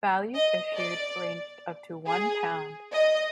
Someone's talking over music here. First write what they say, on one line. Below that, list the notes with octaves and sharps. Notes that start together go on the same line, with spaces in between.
Values issued ranged up to one pound.
D#5
D5
G#4
D#5